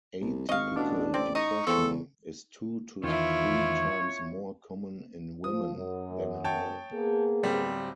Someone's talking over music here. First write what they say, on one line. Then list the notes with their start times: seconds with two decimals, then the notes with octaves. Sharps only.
Atypical depression is two to three times more common in women than in men.
0.21 C2
0.49 G#1 D#5 F5 C#6
0.76 A1 B2 D4
1.14 C4 D5
1.35 D#4 D#5 C#6
1.67 E2 F3 C4 A4
3.04 E2 D#3 E4 F4 C#5
5.44 F3 D#6
5.75 F#2
6.44 C#5 G5 A5
6.93 A#3 B3 G#4
7.43 D1 G3 C4